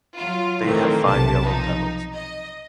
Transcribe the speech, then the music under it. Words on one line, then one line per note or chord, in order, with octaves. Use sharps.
They have five yellow petals.
F#3 F4
D#3 E3 F#3 A3 A#3 C4
B1 C3 A5
F3 D#4
D#5